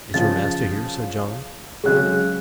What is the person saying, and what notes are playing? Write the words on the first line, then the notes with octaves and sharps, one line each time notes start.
'Is your master here?' said John.
C#3 F3 A6
C#3 F#3 G#3 G#4 F#6